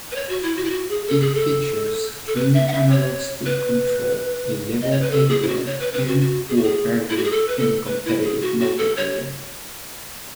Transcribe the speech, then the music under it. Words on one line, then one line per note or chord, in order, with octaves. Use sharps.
It features twin analogue stick control, a level editor and co-operative and competitive multiplayer.
B4
C#5
F#4
E4
F#4
E4
F#4
G#4
A4
G#4
A4
A4
B4
E5
F#5
E5
C#5
B4
D#5
C#5
B4
A4
G#4
E4
F#4
C#5
B4
B4
F#4
F#4
G#4
F#4
G#4
E4
F#4
G#4
A4
B4
A4
B4
E4
G#4
F#4
F#4
A4
C#5